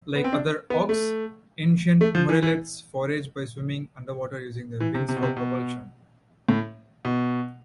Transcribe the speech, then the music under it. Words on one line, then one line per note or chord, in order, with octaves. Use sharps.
Like other auks, ancient murrelets forage by swimming underwater using their wings for propulsion.
B3
C4
D4
B3
A3
A3
F3
E3
E3
E3
C3
C3
B2
C3
B2
A2
B2